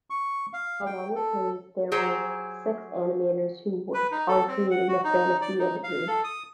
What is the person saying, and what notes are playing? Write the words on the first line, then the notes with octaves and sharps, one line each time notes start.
Along with Hayes, there were six animators who worked on creating the fantasy imagery.
C#6
F5
G5
A4
F#3 G4 G#4 C5 A#5
B4
D#4
A4
C4
F#5
F#4
D#4
D5
D#4
F5
A4
D#6